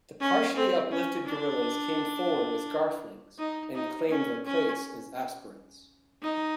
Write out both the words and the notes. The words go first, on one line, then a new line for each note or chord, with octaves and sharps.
The partially uplifted gorillas come forward as Garthlings and claim their place as aspirants...
C#4
C4
C#4
D4
D#4
D#4
C#4
C#4
D#4